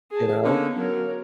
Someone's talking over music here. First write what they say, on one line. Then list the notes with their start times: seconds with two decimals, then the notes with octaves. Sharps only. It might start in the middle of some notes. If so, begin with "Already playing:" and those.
You know.
0.11 G#4 A5
0.43 D3 A#3 B3 C#4 D#4
0.77 F#3 A#4